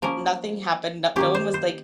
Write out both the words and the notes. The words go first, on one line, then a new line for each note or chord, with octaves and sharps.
nothing happened, no no one was like,
F3 A#3 C#4 A#4
D#3 A#3 C#4 G4
C5
C5